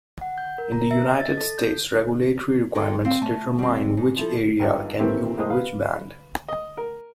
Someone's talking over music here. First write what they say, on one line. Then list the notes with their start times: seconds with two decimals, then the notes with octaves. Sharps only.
In the United States, regulatory requirements determine which area can use which band.
0.21 F#5
0.38 G6
0.58 A#4
0.72 A#5
0.91 E5
1.08 D#5
1.20 A6
1.37 A4
1.58 G6
2.75 G#2 G#3 D#4 A4 G5
3.05 C4 F5
3.22 A3 G#5 A5
3.59 G3 C4
3.97 G#2
4.17 F3 E4 A4
4.60 G#1 G2 F4
4.99 A#2 D#3 E3 A3 C4 G4
5.37 A#1 A2 G#3 C5 D#6
5.50 B4 F5
6.48 D#5
6.77 A#4